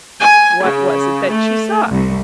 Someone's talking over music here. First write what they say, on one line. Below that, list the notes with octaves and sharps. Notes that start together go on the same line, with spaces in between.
What was it that she saw?
G#5
C#3
A3
C2